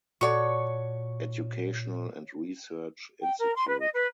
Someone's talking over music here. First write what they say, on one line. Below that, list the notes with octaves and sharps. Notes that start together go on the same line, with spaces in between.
Educational and Research Institute.
A#2 F#4 A4 C#5 D5 C#6
G5
A#4
C6
B4
D#5
B4